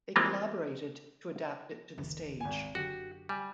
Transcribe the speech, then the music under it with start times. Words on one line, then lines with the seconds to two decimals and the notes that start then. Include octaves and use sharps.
They collaborated to adapt it to the stage.
0.16 E3 G3 G#3 A#3 C4 F4
1.98 F#1 D2 D#3
2.40 G#1 G#5
2.75 F#2 D3 F#4 G4
3.29 G3 G#5